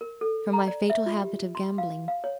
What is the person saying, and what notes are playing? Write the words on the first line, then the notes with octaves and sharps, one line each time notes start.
From my fatal habit of gambling.
A#4
A4
A#5
D5
E5
F4
G4
C6
F5
F5
C#5